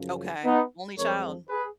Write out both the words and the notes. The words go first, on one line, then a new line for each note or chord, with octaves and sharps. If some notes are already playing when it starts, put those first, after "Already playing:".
Okay. Only child.
Already playing: F#2 C#3 F3
B3 D#4
F2 F3 G#3 A#4 C#5
G#4 B4